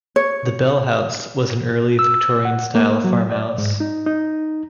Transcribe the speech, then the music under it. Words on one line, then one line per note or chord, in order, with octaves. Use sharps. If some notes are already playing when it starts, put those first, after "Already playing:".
The Bell House was an early Victorian style farm house.
C#5
E6
F#5
A#3
F#3
D5
G#2
D#4
D#4